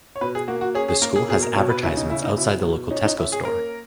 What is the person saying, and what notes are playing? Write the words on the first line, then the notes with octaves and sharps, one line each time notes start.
The school has advertisements outside the local Tesco store.
C#5
B2 B4
G#4
A#3 F#4
F#4
C#4 G#4
G#4
A#3 A#4
G#4
B2 G#4
A#4
B2 C#5
B4
C#3 E4
D#4
C#3 E4
D#4
B2 E4
B2
C#4 D#4
D#4
C#4 E4
G#4
A#3 A#4